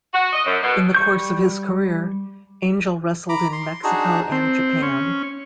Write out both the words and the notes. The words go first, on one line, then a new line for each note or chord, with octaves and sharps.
In the course of his career, Angel wrestled in Mexico and Japan.
F#4
D#5
F#2
B2
G3 C#6 G6
A#5 B5 D6
C6
D4 D#4 F#4 G#4
C4
C#4